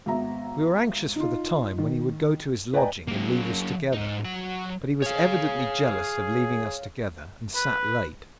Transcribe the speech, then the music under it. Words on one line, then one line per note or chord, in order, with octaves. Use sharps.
We were anxious for the time when he would go to his lodging and leave us together, but he was evidently jealous of leaving us together, and sat late.
G#1 B3 E5 A#5
D#4 F4
D#3
B4 D5 D#5 G5 G#5 A#5
F#3 A#3
G#2 D#4
F#3 F#5
G#4 C#5 F5
B4